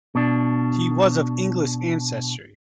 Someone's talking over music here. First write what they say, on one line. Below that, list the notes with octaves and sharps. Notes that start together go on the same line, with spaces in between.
He was of English ancestry.
B2 D4